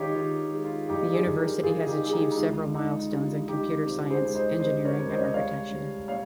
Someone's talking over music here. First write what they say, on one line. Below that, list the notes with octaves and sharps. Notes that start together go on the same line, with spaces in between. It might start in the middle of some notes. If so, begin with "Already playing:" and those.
The university has achieved several milestones in computer science, engineering and architecture.
Already playing: D#3 G#3 D#4 G4 C#5 F5
D#3 F4
G#3
F4
G2 D#4 G4
F4 G#4
G2
G4 A#4
G2 F4 G#4
D#4 G4
G#3 G#4
D#4 G4
D#4
C#2 F4
C#2 D#4
G3 F4
G3 D#4 G4
C3 F4
G#4 C5
C#2
C5 D#5
C3 C5 D#5
A#4 C#5
C#2
C5 D#5
C#5
D#5
C2 C#5 F5
C2
A#2 C#5 F5